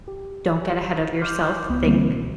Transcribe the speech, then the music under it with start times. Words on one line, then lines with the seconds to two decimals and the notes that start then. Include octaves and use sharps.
don't get ahead of yourself. Think
0.08 G4
1.21 C6 D6 F6 G6
1.69 C#2 B3 B5
1.85 D3 E3 G3 A#3 C4
2.08 B2